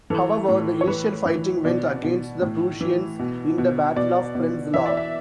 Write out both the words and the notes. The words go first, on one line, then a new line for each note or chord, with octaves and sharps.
However, the initial fighting went against the Prussians in the Battle of Prenzlau.
E3 A4
A2
C#5
E3 B4
E3
B2 D5
B2
A2
E3
B2
B2
B2 D5
B2
E3 E5
D5
E5